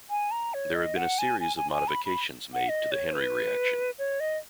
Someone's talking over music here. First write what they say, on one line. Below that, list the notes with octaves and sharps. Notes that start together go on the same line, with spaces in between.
There have been a series of modifications made to the Henry Reaction.
G#5
A#5
C#5
D#5
F#5
G#5
G#5
G#5
G#5
B5
B5
F#5
D#5
C#5
B4
C#5
D#5